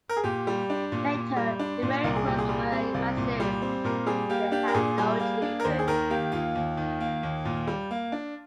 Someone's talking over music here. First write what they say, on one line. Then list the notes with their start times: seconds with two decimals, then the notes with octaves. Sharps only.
Later he married Cruz Maria Massu, but they had no children.
0.09 A#4
0.17 G#4
0.24 A#2 G4
0.47 G3
0.70 D4
0.92 A#2
1.14 A#2
1.36 G3
1.59 D4
1.82 A#2
2.04 C2 A#4
2.16 G#4
2.26 A#2 G4
2.38 G#4
2.49 G3
2.72 C4
2.94 C2
3.17 A#2
3.40 G3
3.62 C4
3.84 A#2 A#4
4.06 G3 G#4
4.29 A#3 G4
4.52 D4 G4
4.68 A#4
4.74 A#2 G#4
4.98 G3
5.20 A#3
5.42 D4
5.60 A#4
5.64 D#2 C5
5.79 G#4
5.87 D#3 A#4
6.10 A#3 G4
6.32 D#2 F4
6.55 D#2
6.77 D#3
7.00 A#3
7.23 D#2
7.45 A#2
7.67 G3
7.91 A#3
8.12 D4